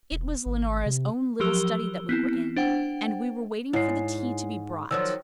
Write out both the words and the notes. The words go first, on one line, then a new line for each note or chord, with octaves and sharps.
It was Leonora's own little study that we were in and we were waiting for the tea to be brought.
E1
G#1
C3
F3 F#3 G4 A#4 E6 G7
B3 C4 E4
D4 C5 F#5 G5
G#2 E4 C#5 C7
D#3 F3 F#3 E6